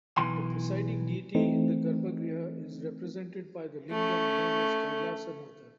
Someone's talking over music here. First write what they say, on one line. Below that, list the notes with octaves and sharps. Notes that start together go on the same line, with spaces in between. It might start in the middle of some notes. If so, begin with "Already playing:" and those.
The presiding deity in the garbhagriha is represented by the "lingam" known as Kailasanathar.
B1 E3 C6
E3 A3 C4 D#4
A3 C#4